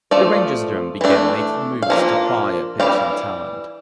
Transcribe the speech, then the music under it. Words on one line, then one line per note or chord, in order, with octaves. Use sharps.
The Rangers then began making moves to acquire pitching talent.
F3 A3 D5
E3 A3 D4
F5
F3 A#3 D4
E3 G3 C4 D5 F5